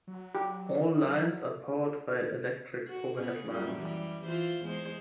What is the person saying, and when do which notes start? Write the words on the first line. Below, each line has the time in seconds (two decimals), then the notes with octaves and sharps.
All lines are powered by electric overhead lines.
0.07 F#3
0.35 G4
2.88 F#4
3.18 C#3 B3 G#4
3.48 F#2 A#2 G3
3.78 E3 G3
4.24 E3 F4 C5
4.63 E2 G#3 C5